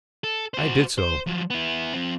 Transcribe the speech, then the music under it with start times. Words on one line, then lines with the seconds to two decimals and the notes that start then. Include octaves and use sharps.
I did so.
0.24 A4
0.54 F#4 C5
0.98 C5
1.26 F3 F#3
1.50 B3 E4
1.94 F3 C4